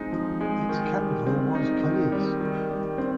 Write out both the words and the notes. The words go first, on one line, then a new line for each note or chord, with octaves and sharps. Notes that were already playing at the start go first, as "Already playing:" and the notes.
Its capital was Kalisz.
Already playing: F3 G#3 C4 D#4
F3
G#3
D#3
G3
C4
D#4
D#3
G3
D#3
G3
C4